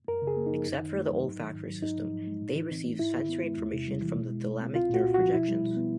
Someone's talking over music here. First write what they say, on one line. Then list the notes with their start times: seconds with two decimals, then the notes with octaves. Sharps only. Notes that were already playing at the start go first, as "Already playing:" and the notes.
Except for the olfactory system, they receive sensory information from thalamic nerve projections.
0.08 F#2 A#4
0.22 C#3
0.27 G#4
0.37 A#3
0.46 D#4
0.52 F3
0.66 F#2
0.80 D#3
0.96 A3
1.10 F#3
1.24 G#2
1.39 D#3
1.54 G#2
1.68 F#3
1.82 G#2 D#4
1.98 F3
2.12 G#2
2.27 G#3
2.42 A2
2.56 E3
2.71 C4
2.85 A3
2.99 G#2 E4
3.14 D#3
3.29 B3
3.43 G#3
3.58 E2
3.73 C3
3.88 G3
4.02 E3
4.16 B2
4.31 G#3
4.45 B2
4.61 C4
4.75 C2 F4
4.89 A#2 F#4
5.04 C2
5.14 F3 F#4
5.33 B2 E4
5.48 G3
5.63 B2
5.76 B3